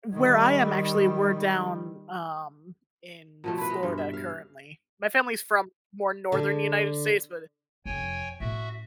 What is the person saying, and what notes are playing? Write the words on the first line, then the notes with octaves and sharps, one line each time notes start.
where I am actually, we're down, um, in Florida currently. My family's from more Northern United States, but, uh,
D#3 G3
B2 F3 A3
E4 B4
G#3
G2
E5
F5
D3
F1 F2 C#5 G5 G#5
A2 C#4 F#4 E5